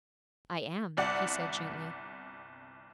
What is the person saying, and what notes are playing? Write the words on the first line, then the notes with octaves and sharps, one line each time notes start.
'I am,' he said gently.
G1 C2 D5 F#5